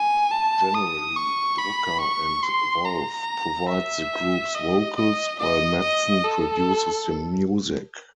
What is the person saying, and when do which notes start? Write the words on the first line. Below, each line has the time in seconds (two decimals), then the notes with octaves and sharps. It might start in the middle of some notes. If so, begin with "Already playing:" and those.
Generally Drucker and Wolf provide the group's vocals while Madson produces the music.
Already playing: G#5
0.31 A5
0.74 D#6
1.16 C#6
1.58 B5
2.01 C#6
2.43 C6
2.85 A#5
3.70 E5
4.55 D#5
4.97 D#5
5.39 D#5
5.81 D#5
6.24 A4